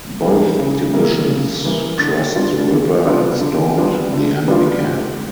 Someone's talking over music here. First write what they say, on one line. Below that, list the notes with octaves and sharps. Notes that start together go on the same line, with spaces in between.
Both divisions crossed the river and stormed the enemy camp.
E3 G3 A#3
C#3
E3 G3 A#3
C#3
E3 G3 A#3
D3
G3 B3 D4 F4
D3
G3 B3 D4 F4
D3
G3 B3 D4 F4
D3
G3 B3 D4 F4
G#2